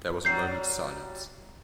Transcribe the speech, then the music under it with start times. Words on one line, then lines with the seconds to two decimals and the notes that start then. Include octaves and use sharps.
There was a moment's silence.
0.25 F#3 G3 D4 G6 C7